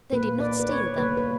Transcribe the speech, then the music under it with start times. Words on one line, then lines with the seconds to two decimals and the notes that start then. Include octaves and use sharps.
They did not steal them.
0.12 A#2 A#3 B4
0.40 D5
0.60 B4
0.69 C#5
0.98 C#3 G3 A#3 B4
1.17 B4